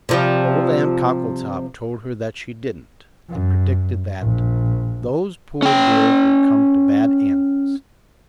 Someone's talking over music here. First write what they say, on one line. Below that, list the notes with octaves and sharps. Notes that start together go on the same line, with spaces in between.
Old Aunt Cockletop told her that she didn't, and predicted that 'those poor dears would come to bad ends.'
C3 F3 G3
F#2
A#1
C#4 G5